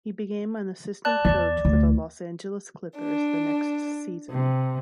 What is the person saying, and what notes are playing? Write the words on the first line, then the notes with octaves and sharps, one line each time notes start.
He became an assistant coach for the Los Angeles Clippers the next season.
D5 A5 F#6
E2 D5
D2
D4
C3